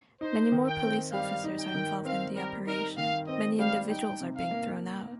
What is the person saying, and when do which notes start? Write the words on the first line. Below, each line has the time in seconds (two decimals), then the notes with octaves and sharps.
Many more Police Officers are involved in the operation, many individuals are being thrown out.
0.21 D#4 C5
0.52 D#3
0.67 G5
0.83 C4
1.13 G3 F5
1.44 D#4
1.60 G5
1.75 D#3
2.05 C4 F5
2.35 G3 A#4
2.67 D#4 A#4
2.97 D#3 F5
3.27 C4 D#5
3.58 G3 F5
3.89 D#4 G5
4.20 C3
4.36 F5
4.51 A#3